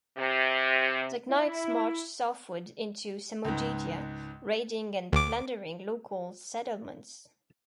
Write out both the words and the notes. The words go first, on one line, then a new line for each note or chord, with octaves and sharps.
The knights marched southward into Samogitia, raiding and plundering local settlements.
C3
E4
C#2 G#2
D2 D6